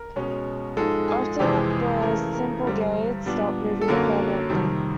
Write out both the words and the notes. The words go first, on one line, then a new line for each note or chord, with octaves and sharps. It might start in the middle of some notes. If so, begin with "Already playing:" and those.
After that, the Symplegades stopped moving permanently.
Already playing: A#4
B2 G#3 C#4
G#2 F3 G#3 A4
G#4
F2 C3 E3 G#3 C4 G4
G#4
C#3 E3 A3 A#4
A#4
G2 D3 G3 C4
A#2 G3 B3 D4
A4
F#2 D3 F#3 A#3 C#4 A#4
F2 C3 D#3 G3